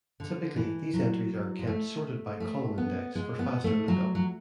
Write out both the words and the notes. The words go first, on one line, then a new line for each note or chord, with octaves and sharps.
Typically, these entries are kept sorted by column index for faster lookup.
D3
E3
F#3
G#3
A3
A3
B3
G#3
B3
A3
F#3
F#3